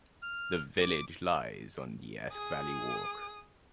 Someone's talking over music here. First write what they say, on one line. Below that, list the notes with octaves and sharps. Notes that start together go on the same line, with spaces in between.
The village lies on the Esk Valley Walk.
F6
D6
G#4 D#6